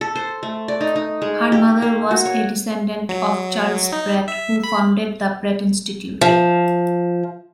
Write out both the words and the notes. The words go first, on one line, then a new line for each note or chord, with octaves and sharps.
Her mother was a descendent of Charles Pratt, who founded the Pratt Institute.
A4
C5
A3
D5
D#4
D#4
G#3
G4
A#3
F#4
C#5
F#3
D#4
E5
B5
F3